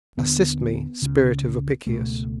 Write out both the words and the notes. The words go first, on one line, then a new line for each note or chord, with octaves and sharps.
Assist me, Spirit of Apicius!
D#2 D3 B3
C#2 C#3
C#2 B2 A3